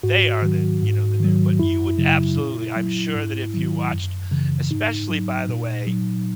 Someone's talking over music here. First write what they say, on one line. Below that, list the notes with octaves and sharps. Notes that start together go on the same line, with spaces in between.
they are then, you know, the new, but you would absolutely I'm sure that if you watched especially, by the way,
G#2 F#4
D#3 F#3
G#2
D#3 F#3
F#2 E4
C#3 F#3
A#2
F#3
G#2
D#3 F#3
F#2
C#3 E3
G#2 D#4
F#3
A#2
F#3